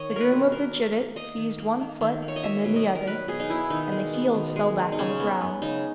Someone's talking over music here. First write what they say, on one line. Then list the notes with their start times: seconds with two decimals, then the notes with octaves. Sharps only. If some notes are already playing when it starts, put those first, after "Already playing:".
The groom of the gibbet seized one foot and then the other, and the heels fell back on the ground.
Already playing: D#3 C#5 D#5
0.10 A#3
0.16 A#4 B4
0.32 B2
0.52 A#3 A#4
0.74 A#3
0.94 A#3
1.16 A#3 D#5
1.37 D#3
1.59 A#3
1.80 D#3
2.01 D#3
2.22 A#3
2.28 C#5
2.36 D#5
2.43 F#3 E5
2.64 B2
2.76 D#5
2.87 B2
2.95 A#4
3.07 F#3 B4
3.28 B2 G#4
3.40 D#4
3.49 B3 E4
3.70 D#3 D#4
3.92 G#3
4.13 B3
4.34 D#3
4.56 G#3
4.78 G#3
4.92 D#4
4.98 C#3 C#4
5.19 B3
5.41 B3
5.62 C#3 D#4